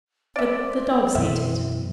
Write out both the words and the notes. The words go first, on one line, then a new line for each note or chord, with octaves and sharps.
But the dogs ate it.'
C4 D5 E5
F#2 B2 E3 E5